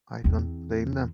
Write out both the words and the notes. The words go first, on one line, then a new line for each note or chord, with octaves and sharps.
I don't blame them.
E2 C4